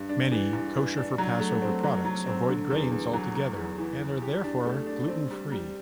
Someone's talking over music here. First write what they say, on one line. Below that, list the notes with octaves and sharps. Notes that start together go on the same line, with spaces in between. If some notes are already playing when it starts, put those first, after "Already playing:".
Many kosher-for-Passover products avoid grains altogether and are therefore gluten-free.
Already playing: G2
D4
E3
G2
E3
D4
F#3
A3
C4
F#3
F#3
C4
D3
E2
E2
F#3
F#3
E2
E3
E3
G4
D4
A3
D4
C4
G3
G3